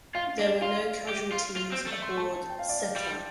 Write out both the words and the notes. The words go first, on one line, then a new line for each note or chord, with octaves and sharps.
There were no casualties aboard "Setter".
F4 F5
D4 D5
F4 F5
F5
G4
F4
F4
C4
A3
C6
A5
A5
G5
F5
D5
F5
G3